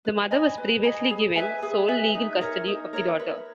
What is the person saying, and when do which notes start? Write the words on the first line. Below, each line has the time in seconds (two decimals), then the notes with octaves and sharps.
The mother was previously given sole legal custody of the daughter.
0.05 B4
0.31 D#5 G#5 B5
0.57 B4
0.83 D#5 G#5 B5
1.10 G#4
1.36 B4 E5 G#5
1.62 G#4
1.88 B4 E5 G#5
2.14 D#4
2.41 A#4 C#5 E5
2.67 D#4
2.93 A#4 C#5 E5
3.19 B4